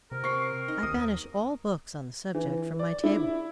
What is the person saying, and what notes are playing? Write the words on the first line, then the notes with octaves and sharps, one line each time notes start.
I banish all books on the subject from my table.
C3 A#4
C4 C#6 C7
D#4 D#5
D#2 D#6
E3
D5
E4